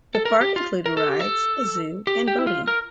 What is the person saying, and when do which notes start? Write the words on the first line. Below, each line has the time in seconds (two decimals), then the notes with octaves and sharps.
The park included rides, a zoo, and boating.
0.15 A4
0.25 A#4
0.41 G4
0.56 F4
0.86 A#4
0.97 A4
1.09 G4
1.20 A4
2.07 G4
2.28 G4
2.39 E4
2.47 F4
2.67 A#4